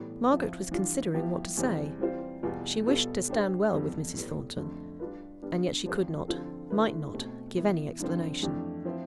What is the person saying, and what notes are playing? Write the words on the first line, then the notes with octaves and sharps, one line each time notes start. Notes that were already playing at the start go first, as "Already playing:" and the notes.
Margaret was considering what to say; she wished to stand well with Mrs. Thornton; and yet she could not, might not, give any explanation.
Already playing: A2 E3 G3 B3
F3 C4 E4
E3 G3 D4 F4
F3 B3 E4 G4
E2 C3 E3 G3 C4
E3 G3 C4 F4 C5
E2 B2 G3 B3 F4
B2 G3 B3 F4 A4
G3 D4 G4 C5
F2 E3 G3 B3
A2 G3 B3
F2 D3 A3
G3 D4 F4 B4
D3 G3 B3 D4
G2 F3 C4 G4 C5
D3 F3 C4 F4 A4
D3 A3 E4 B4
B2 A3 C4
E3 B3 E4
G2 D3 F3 C4
F2 E3 A3 D4 G4
F3 C4 E4